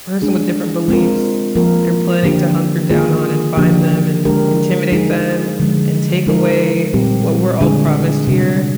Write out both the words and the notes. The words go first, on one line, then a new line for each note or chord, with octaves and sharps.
person with different beliefs, they're planning to hunker down on and find them, and intimidate them, and take away what we're all promised here
G#3 D4 G#4
G#3 C4 F4 A#4
F3 A#3 F4 A#4
D3 F3 A#3 D4 G4
D#3 A#3 F4 G#4
D3 F3 A#3 D4 G4
D3 G#3 D4 G4 A#4
G#3 D#4 G#4
D3 F3 G#3
F3 G#3 D#4 A#4
A#2 G3 C4 G4
D3 G#3 D4 F4 G#4
C3 G3 D4